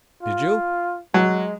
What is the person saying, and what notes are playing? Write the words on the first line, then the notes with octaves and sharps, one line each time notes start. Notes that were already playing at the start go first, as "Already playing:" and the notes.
"Did you...."
F4
F#3 G#3